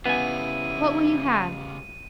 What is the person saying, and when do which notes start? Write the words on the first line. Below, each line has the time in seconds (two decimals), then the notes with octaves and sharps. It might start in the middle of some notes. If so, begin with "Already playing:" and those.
What will you have?
0.06 C#3 G3 B3 E4 G#5 D#7